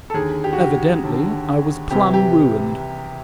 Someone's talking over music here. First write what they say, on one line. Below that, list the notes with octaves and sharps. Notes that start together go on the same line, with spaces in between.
Evidently I was plumb ruined.
A4
D#2 D3 G#4
G4
F#4
G4
D#2 D3
C2 C3 E3 G4
G4